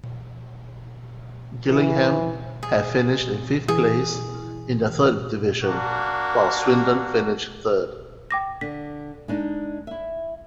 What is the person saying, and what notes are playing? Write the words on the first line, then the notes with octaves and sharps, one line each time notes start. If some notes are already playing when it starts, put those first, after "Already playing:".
Gillingham had finished in fifth place in the Third Division while Swindon finished third.
E3
G#4
E3 G#4
A#3 D4 F#4
G5 D6 A#6
D3 B6
G#3 D4 D#4
E4 E5